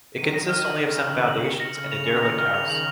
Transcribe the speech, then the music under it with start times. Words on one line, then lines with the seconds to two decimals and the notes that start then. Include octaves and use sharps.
It consists only of some foundations and a derelict house.
0.18 D#3 F#3 D#7
0.34 A#6
0.49 F6
0.66 F#7
0.81 C#3 D#7
0.97 A#6
1.13 F6
1.28 F#7
1.44 D#3 C#7
1.60 A#6
1.75 C#3 F6
1.92 F7
2.06 D#3 C#7
2.23 A#6
2.39 F6
2.54 F7
2.70 F#7